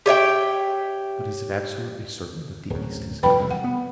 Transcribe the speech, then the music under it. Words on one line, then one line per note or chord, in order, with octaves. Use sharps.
"But is it absolutely certain that the East has got them?"
G4 C#5 E5 G5
D1 F#2
F1 F2 G3 B4 G5 B5
E1 C2 A2
F#5
B3